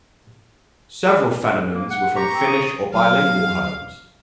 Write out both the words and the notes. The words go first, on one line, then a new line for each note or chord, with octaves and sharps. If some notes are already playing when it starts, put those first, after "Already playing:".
Several Fennomans were from Finnish or bilingual homes.
A#3
F#5
G4 A#5 C#6
C4
D#6
F#3 F5